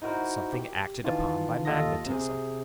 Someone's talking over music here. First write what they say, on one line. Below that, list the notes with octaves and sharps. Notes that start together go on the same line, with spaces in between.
Something acted upon by magnetism.
D#4 E4 F#4 A#4 C5
G4
D#3 E3 F4 A5
D#2 F4 A4 D#5 A#6
C3 G#4